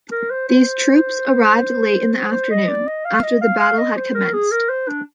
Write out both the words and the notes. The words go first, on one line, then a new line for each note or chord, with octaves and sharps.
These troops arrived late in the afternoon, after the battle had commenced.
A#4
C5
C5
C5
C5
D#5
D5
D#5
F5
D#5
F5
F5
D#5
C5
A#4
G#4
A#4
C5
D4